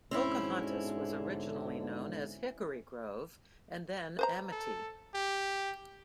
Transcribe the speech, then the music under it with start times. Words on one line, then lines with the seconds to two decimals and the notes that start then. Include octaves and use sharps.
Pocahontas was originally known as Hickory Grove and then Amity.
0.11 G#2 B2 D3 C4 C#4 E4
4.19 B4 C5 A#5
4.52 A4
5.14 G4